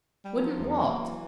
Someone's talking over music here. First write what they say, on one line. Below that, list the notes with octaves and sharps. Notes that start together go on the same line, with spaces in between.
"Wouldn't what?"
G3
F3 F#3
E2
A#3
E3